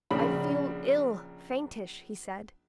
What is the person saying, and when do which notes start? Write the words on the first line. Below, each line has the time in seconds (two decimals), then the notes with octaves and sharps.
"I feel ill--faintish," he said.
0.11 A#1 C#3 D4 B5